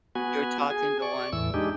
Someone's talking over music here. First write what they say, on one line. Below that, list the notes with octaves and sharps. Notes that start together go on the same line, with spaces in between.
You're talking to one.
B3 F#4 G#5
G#4 G#5
D5 C#6
E2 A2 E3 E6
G#3 D4 D#4 G4